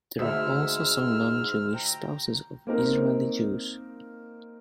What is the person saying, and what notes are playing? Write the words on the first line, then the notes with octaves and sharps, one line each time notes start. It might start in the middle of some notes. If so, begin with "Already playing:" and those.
There are also some non-Jewish spouses of Israeli Jews.
D2 G#2 E5 E6 F6
G5 A#5
A#3 C4 D#4 A#4